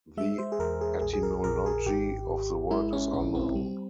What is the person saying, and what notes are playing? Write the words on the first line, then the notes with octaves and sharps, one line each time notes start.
The etymology of the word is unknown.
G#3 E5
C5
G#4
E2 A#4
G#4
A#1 G#4
G#4
A#4
A#1 A#4
G#4
G#1 G4
G#1
G#3 E4
C#4
A#1 C#4
C4
G3